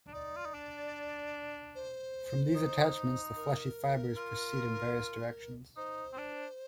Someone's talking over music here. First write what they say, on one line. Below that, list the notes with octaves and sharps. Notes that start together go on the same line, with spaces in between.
From these attachments the fleshy fibers proceed in various directions.
D4
D#4 D5
F4
D#4
D4
C5
D#4
A#4
F4
D#4 C5
C4
D4